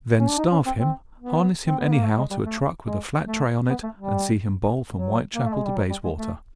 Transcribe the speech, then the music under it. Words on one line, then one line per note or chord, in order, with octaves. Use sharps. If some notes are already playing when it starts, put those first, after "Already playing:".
Then, starve him, harness him anyhow to a truck with a flat tray on it, and see him bowl from Whitechapel to Bayswater.
C#4
D4
D#4
C#4
C4
C4
B3
C4
B3
A#3
A3
G#3
G3
A3
G#3
A3
B3
A3
G3
F#3
A#3
A3
G#3
G3
F#3
G3
G#3
A3